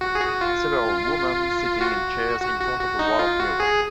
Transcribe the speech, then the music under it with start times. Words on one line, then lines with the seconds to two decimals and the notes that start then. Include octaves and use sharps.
Several women sitting in chairs in front of a wall of mirrors.
0.01 F#4
0.15 G#4
0.21 F#4
0.41 F4
1.81 F#4
2.40 F#4
2.60 F#4
2.80 F#4
2.99 D#4
3.19 F4
3.40 F#4
3.60 G#4